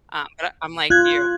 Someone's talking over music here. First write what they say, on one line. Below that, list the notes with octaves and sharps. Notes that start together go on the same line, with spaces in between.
Um, but a I'm like you
F4 F#6 G#6